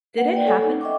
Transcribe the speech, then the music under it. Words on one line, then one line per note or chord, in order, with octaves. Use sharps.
Did it happen?
A#3 B4 F#5
D5 G5
A4 C#5 F#5 G#5
D#4
D#5 E5 G5 C#6 D6